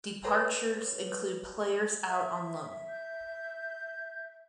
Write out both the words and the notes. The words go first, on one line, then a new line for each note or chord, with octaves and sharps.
Departures include players out on loan.
A4 B4 C#5
E5
G6